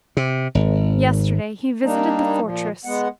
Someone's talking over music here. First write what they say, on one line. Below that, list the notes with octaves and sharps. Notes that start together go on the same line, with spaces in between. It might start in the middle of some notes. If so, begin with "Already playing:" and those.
Yesterday he visited the fortress.
C3
G#1
G3 A#3 D4 D#4
A#2 F3
G#3 B3 F#5